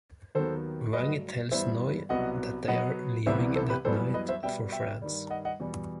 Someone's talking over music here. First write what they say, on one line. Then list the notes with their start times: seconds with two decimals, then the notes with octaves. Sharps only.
Vang tells Noi that they are leaving that night for France.
0.35 D#2 D#3 F#3 B3 A4 C5
0.93 G2 F#3 A3 B4 D#5
1.51 G2 E3 G3 B3 C5 E5
2.09 C2 B2 F#3 B3 D#5 F#5
2.68 B2 F#3 B3 D#5 F#5
3.26 C2 C3 E3 G3 B3 C5 E5
3.55 A4 C5
3.70 G4 B4
3.85 F#2 E3 G3 B3 A4 C5
4.14 B4 D#5
4.29 C5 E5
4.43 B2 G3 B3 E5 G5
4.72 E5 G5
5.02 G2 D#3 G3
5.30 D#5 F#5
5.45 D#5 F#5
5.60 E2 B2 G3